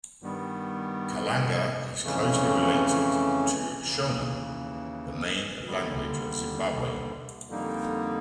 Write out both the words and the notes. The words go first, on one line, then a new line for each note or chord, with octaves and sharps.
Kalanga is closely related to Shona, the main language of Zimbabwe.
G2 D#3 G3 B3
F2 C#3 E3 A3 C#4
D#2 C#3 E3
D#2 D3 G3
F2 D3 G3 A#3 D#4